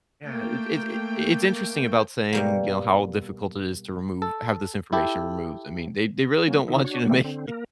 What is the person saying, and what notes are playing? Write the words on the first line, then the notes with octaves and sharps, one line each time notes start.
yeah, it it it's interesting about saying, you know, how difficult it is to remove have this information removed, I mean, they they really don't want you to make
A3 A#3 G5
B2 G3 A#3
A4
E4 G4 A4
F#3 A#3 C#4
D#3 D#4 E4
D4 F#4 C#5
E3 G3 A3 A#3 C4
D3 C4
A#3 A#4